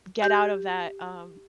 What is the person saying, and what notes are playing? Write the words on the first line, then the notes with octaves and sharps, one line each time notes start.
get out of that, um,
G4 G6